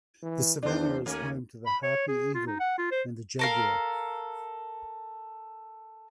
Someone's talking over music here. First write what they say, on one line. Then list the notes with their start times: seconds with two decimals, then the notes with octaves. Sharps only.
The savannah is home to the harpy eagle and the jaguar.
0.22 E3
0.63 E2 D4 C5
1.06 D#2 A3 A#3 C#4
1.66 B5
1.83 C#5
2.08 G#4
2.35 F4
2.47 D#4
2.60 F#5
2.78 F4
2.91 C5
3.39 A4 A#4 F5